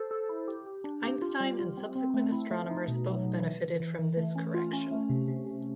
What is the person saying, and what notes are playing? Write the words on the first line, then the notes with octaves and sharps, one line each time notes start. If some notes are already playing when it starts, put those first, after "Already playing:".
Einstein and subsequent astronomers both benefitted from this correction.
Already playing: A4 C5
A4
E4
G4
G4
D4
G4
F4
G3
F4
C4
C4
A3
E4
A3
D#4
B2
F#3
B2
E3
E3
E3
E3
A3
C#4
F4
C#4
A3
C3
C3
C3